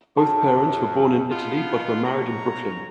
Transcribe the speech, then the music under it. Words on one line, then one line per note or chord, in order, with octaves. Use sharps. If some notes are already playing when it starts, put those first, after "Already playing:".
Both parents were born in Italy but were married in Brooklyn.
F#2 A5
B3 D#4 F4
G#2 C#5 A#5